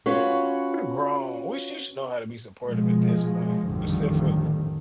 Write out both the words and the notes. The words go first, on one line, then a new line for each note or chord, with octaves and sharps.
We're grown. We sh should know how to be supportive at this point, except for,
C#4 F4 F#4 B4 C#5
B2 F3 G#3
A1 F2 D3 D#3 G3